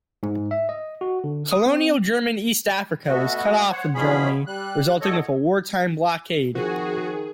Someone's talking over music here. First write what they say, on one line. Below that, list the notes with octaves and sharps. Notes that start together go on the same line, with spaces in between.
Colonial German East Africa was cut off from Germany resulting from a wartime blockade.
G#2
E5
D#5
F#4
D3
D#6
C4
B2 A3 B3 F#4
C5 C#5 F#5
E2 B2 F3 C#4 G#4 B5
G3 F#6
E2 A4 C#5 D#5
D#3 F3 C4 F#4 G#4